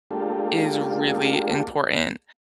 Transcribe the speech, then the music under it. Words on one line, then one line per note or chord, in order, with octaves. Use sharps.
is really important.
G#3 A#3 D4 F4 G4 A4